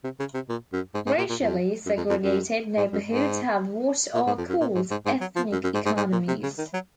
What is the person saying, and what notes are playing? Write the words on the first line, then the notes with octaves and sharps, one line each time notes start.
Racially segregated neighborhoods have what are called ethnic economies.
C3
C#3
C3
A#2
F#2
G#2
G#2
A#2
A#2
F2
F#2
F2
F2
F#2
G#2
F#2
G#2
A#2
G#2
F2
F#2
A#2
G#2
G#2
G#2
F#3
F3
F#2
F#2
G#2
G#2
G#2
A#2
C3
C#3
D#3
F#3